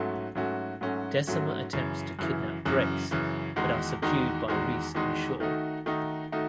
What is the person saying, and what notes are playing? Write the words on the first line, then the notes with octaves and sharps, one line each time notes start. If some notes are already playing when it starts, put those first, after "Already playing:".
Decima attempts to kidnap Grace but are subdued by Reese and Shaw.
Already playing: G#2 F#3 A3 C#4 F#4
G#2 F#3 A3 C#4 F#4
G#2 F#3 A3 C#4 F#4
G#2 F#3 A3 C#4 F#4
F#2 C#3 E3
F#2 C#3 E3
F#2 C#3 E3
F#2 C#3 E3
E2 D#3 G#3 D#4 F#4
E2 D#3 G#3 D#4 F#4
E2 D#3 G#3 D#4 F#4
E2 D#3 G#3 D#4 F#4
D#3 A3 D#4 F#4
D#3 A3 D#4 F#4
D#3 A3 D#4 F#4